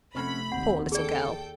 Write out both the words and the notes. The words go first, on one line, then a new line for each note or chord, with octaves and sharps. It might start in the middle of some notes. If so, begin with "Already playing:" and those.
Poor little girl!
F1 A3 C4 C#4 F#5 B5
D#2 C4 F#5
G#4 A4 D5 G5